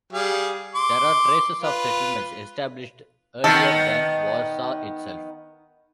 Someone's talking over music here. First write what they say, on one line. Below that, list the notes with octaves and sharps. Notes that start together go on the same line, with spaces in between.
There are traces of settlements established earlier than Warsaw itself.
G3 G#4 F5
C6 D6
F4 B4
D#3 B3 A4